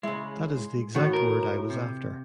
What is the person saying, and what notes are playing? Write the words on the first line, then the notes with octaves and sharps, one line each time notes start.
That is the exact word I was after.
C#3 G#3 E4
A2 D#3 F#4
A#4
C3